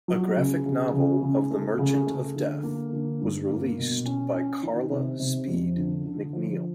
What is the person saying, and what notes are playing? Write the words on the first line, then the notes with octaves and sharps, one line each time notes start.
A graphic novel of the Merchant of Death was released by Carla Speed McNeil.
F#3
C#3
C#3
C#3
C#3
A3
C#3
A3
D3
A#3
D3
G2
A#3
B2
C#4
C#4
D#3
C3
C3
F2
D3
D3
F3